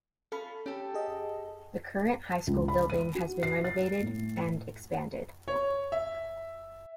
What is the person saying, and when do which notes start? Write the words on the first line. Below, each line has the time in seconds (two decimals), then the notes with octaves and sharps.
The current high school building has been renovated and expanded.
0.32 C#4 F4 A4 B5
0.66 C#4 G4 A4
0.94 G#4 D#5
2.47 C#2
2.68 B5
2.90 D#7
3.15 F#4
3.43 C7
3.64 A6
4.02 A2
5.48 C#5
5.92 E5